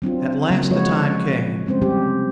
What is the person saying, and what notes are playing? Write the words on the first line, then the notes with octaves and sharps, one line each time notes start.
At last the time came.
F#3 C4 D4 F4
C#3 F#3 A#3
F3 G#3 F#4 B4 C#5 D#5
G3 G#3 C4 C#4 C5
C3 F#3 G3 G4